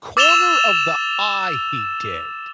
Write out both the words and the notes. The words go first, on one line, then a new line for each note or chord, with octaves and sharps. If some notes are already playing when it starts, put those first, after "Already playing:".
Corner of the eye, he did
D6 E6 A6 E7 F7 G7